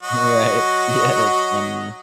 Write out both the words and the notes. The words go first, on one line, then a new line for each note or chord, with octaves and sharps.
Right. Yeah, that's funny, yeah.
F#3 F#4 D#5